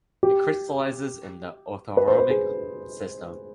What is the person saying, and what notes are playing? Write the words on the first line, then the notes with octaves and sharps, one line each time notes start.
It crystallizes in the orthorhombic system.
G4
B4
C5
B4
G#4